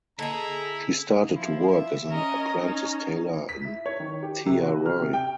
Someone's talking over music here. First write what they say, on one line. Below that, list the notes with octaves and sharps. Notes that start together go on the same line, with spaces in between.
She started to work as an apprentice tailor in Thiaroye.
D3 A#3 E4 G#4 A4 D#5 A#5
F3 E4
E5
C#4 A#4 D#5
C#4 D#4
B6
E4
C#5
D#3
G4
C3
F#4
F6
C3
G5